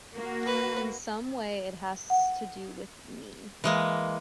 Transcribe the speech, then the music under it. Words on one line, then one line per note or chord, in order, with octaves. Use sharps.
In some way it has to do with me.
A#3 F#4
B4
F#5
E3 G#3 A#3